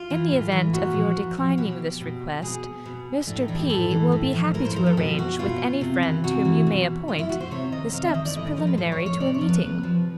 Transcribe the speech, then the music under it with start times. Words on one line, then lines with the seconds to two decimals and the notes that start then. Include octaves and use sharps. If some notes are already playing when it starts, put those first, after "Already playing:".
In the event of your declining this request, Mr. P. will be happy to arrange, with any friend whom you may appoint, the steps preliminary to a meeting.
Already playing: F4
0.10 E3
0.31 A2
0.52 E3
0.73 A#2 F#4
0.94 F3
1.16 A#2
1.37 F3
1.58 B2 G4
2.01 B2
2.42 B2 G#4
2.86 B2
3.27 A2 D4
3.39 D#4
3.48 E3 D4
3.55 G#4
3.59 G4
3.70 A2 A4
3.91 E3
4.12 A2
4.33 F3
4.54 A2 A#4
4.65 C5
4.76 F3 A#4
4.86 A4
4.97 B2 G4
5.19 F#4
5.39 B2 F4
5.81 C3
6.03 E3
6.24 C3 F#4
6.45 E3
6.67 B2
7.08 B2 F4
7.19 E4
7.29 F#4
7.40 C5
7.51 C3 C#5
7.72 D#3 D#5
7.93 C3 F5
8.05 E5
8.14 D#3 D#5
8.25 D5
8.36 A2 D#5
8.47 D#5
8.57 F3 A#4
8.67 B4
8.77 A2 C5
8.92 C#5
9.00 F3
9.06 C#5
9.20 C3 D5
9.34 C#5
9.41 F3
9.49 B4
9.63 C3
9.83 F3